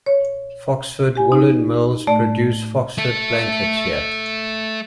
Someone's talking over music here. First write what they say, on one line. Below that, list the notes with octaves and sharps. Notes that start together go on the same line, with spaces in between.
Foxford Woollen Mills produce Foxford blankets here.
C#5
G4 G#5
D#4
A2 A3 D5
A3 A4